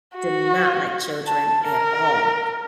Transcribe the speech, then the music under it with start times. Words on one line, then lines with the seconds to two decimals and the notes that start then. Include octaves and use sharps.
did not like children at all.
0.16 F#4
1.26 A5
1.65 A#4